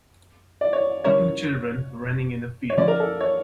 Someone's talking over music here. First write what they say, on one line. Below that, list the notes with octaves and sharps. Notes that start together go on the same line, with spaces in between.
Two children running in a field.
D5
C#5
D3 G3 C#4 E4 A#4 C#5
C#5
D3 F3 A3 C#4 D5
A#4
A4
C#5